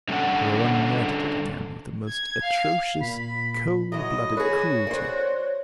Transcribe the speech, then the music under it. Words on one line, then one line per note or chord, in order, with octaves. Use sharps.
Flora murdered it again, with the most atrocious, cold-blooded cruelty.
D3 G3 C#4 A4 F#5
G#6
F5
A#2 B5
E3 F#3 D#5
F#4 G#4 B4 C#5
C5 D5